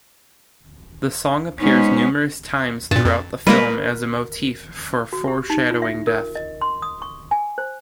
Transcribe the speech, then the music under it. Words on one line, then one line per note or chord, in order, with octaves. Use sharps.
The song appears numerous times throughout the film as a motif for foreshadowing death.
G#3 B3 C#4 D#4 C5
G2 A#2 A5
F2
G3 G#3 A#3 A#4 B4
F#4
G4
D#4
F4
E5
A#4
D#5
C6
D#6
C#6
G#5
C5